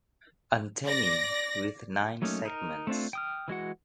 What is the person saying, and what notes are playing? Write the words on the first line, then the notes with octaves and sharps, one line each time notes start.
Antennae with nine segments.
D5 A#6
F#3 A3 A#3 C#4 D#4
D#4 A#4
A3 C4 D4 F4
G5 D#6 F6
E3 G#3 F#4 F#5